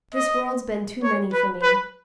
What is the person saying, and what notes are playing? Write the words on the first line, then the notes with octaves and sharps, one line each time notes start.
This world's been too many for me.
D#5
C#5
B4
B4